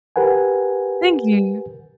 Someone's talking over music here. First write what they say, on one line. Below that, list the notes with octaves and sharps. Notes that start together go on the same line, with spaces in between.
Thank you.
G4 A#4 B4 F#5 G#5